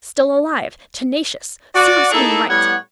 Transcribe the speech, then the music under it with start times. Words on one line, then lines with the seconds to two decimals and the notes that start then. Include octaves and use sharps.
Still alive... tenacious... serves him right!
1.75 F#4 D5
2.11 A#3 D#4 E4 G#4 A4
2.48 A2 G3 B3 C#5 F#5